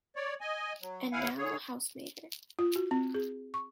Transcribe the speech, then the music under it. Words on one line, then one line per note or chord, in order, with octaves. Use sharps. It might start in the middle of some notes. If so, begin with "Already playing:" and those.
And now I'm a housemaster.
C#5 D5
D#5 G#5
F#3
D#2 E4 F5 F#5 G#5
D3 G#4 C#5
F4
F#4
C4
G#4
C#6